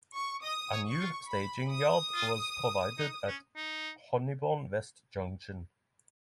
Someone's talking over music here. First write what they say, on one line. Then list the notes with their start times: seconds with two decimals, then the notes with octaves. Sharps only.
A new staging yard was provided at Honeybourne West Junction.
0.15 C#6
0.43 D#5 D#6
0.72 C#5
0.86 C#6
1.00 F4
1.29 B5
1.71 D#6
2.14 F4
2.99 D#4
3.28 C#4
3.56 D#4